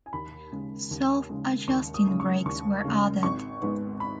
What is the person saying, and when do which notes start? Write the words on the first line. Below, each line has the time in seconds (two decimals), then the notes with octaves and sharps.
Self-adjusting brakes were added.
0.06 G#5
0.13 D#2 B5
0.52 C#3 G#3
0.91 D#2
1.30 C#3 G#3
1.68 D#2 C#6
1.94 D#6
2.07 C#3 G#3
2.20 C#6
2.46 D#2 C#6
2.84 C#3 G#3
3.23 G#1 C#6
3.62 G#2 G#3 B3
4.00 B5